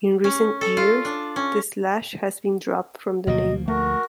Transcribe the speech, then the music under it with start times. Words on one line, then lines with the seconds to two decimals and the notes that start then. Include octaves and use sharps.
In recent years, the slash has been dropped from the name.
0.24 C#4
0.61 A4
0.77 F4
1.05 D4
1.36 C#4
3.27 D2 B2 F3 A#3 D#5
3.68 A3 F#4 A#4